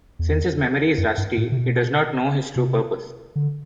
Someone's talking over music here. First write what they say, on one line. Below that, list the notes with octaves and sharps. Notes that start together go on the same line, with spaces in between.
Since his memory is rusty, he does not know his true purpose.
E2
F#2
G2
A2
C3
B2
C3
D3